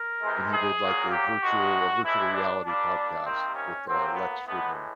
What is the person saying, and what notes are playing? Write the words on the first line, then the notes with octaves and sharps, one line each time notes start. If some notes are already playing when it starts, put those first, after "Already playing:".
and he did, like, a virtual a virtual reality podcast with, uh, Lex Fridman.
Already playing: A#4
C3 E3 G#3
G#4
A#2 F#3 A#3
G4
G2 D#3 G#3 F#4
A2 E3 G#3 E4
D4
A#2 G3 A#3 D4
C3 D#3 G3 A#3 C4
C#4
A2 F#3 A#3 C4
B3
A2 E3 G#3 B3